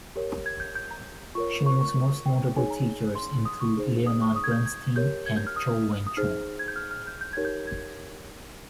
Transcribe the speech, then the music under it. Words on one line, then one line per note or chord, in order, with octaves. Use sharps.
Sheng's most notable teachers include Leonard Bernstein and Chou Wen-Chung.
G4 A#4 C#5
G#6
G6
G6
A#5
F4 A#4 C#5 C#6
C#6
C#6
G5
D#4 G#4 C#5 G#5
A#5
C6
D#6
C#6
D#4 G#4 C5
D#6
C#6
D#6
G#6
G6
G#6
G4 A#4 C#5 G6
G#6
G6
F6
D#6
D#6
D#4 G#4 C5 F6
G#6
G6
F6
F6
G6
G6
D#4 G4 A#4 C#5 G#6
G6
G#6